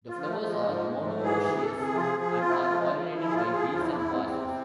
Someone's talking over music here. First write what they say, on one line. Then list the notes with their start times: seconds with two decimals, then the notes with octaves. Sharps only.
The flowers are monoecious and are pollinated by bees and wasps.
0.08 F4
0.15 F3
0.28 A3
0.41 F3
0.47 G#3
0.66 G#2 F3
0.86 G#3
0.92 G#2
1.05 A3
1.17 E3
1.23 G#4
1.43 D2 G#4
1.56 G#4
1.62 A4
1.68 C3
1.81 G#4
1.95 F3 F4
2.00 G#4
2.19 F3 G#4
2.39 F4
2.46 F3 E4
2.59 F4
2.70 F3 A3
2.77 G#3
2.96 F3
3.15 E4
3.22 F3
3.29 G#4
3.35 F4
3.47 F3
3.53 G#4
3.74 E2 F4
3.80 E4
3.89 D4
3.97 E2 E4
4.11 C4
4.20 B3
4.24 C3 C4